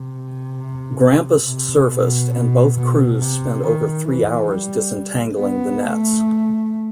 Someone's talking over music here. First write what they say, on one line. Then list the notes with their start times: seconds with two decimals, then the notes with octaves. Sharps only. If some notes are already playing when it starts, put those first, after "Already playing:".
"Grampus" surfaced and both crews spent over three hours disentangling the nets.
Already playing: C3
1.47 C3
1.91 B2
2.35 B2
2.78 B2
3.22 C3
3.65 D#3
4.08 E3
4.52 G3
5.39 B3
5.83 A3